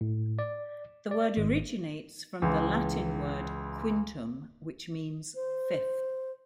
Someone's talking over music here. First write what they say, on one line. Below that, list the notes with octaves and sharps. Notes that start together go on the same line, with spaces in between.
The word originates from the Latin word "quintum", which means "fifth".
A2
D5
D5
G#1
C#2 E3
C5